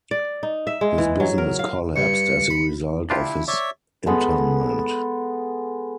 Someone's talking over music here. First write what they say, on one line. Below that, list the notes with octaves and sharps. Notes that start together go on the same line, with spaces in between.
His business collapsed as a result of his internment.
D5
D#4
E5
G#3
E3
F#3
A#4
F5
G2 C#7
B5
D4 E4 F4 G4
C#5 D5 E5
G#3 B3 A4 B5